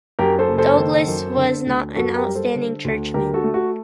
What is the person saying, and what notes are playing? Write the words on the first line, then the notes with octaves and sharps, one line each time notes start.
Douglas was not an outstanding churchman.
F#2 G4 A#4
A4 C5
F#1
A4 C5
D#3
F#2
D3
D2
F#2 F#4 A4
G4 A#4
G3
A4 C5
D3
D2
D3 G4 A#4
F#4 A4
A3
F#4